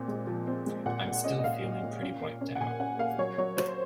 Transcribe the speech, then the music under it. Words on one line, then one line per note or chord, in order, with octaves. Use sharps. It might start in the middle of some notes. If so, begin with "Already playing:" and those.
I'm still feeling pretty wiped out.
Already playing: A#2 C4
G#3
F3
C4
G#3
A#2 F#5
A#2
C#4 D#5
D#5
A#2 F5
A#2
A#2
C#4
A#3
C#4
F#5
A#2 G#5
C#4 F#5
A#3 F5
F#3 C#5
F#3 C#5
F#3 C5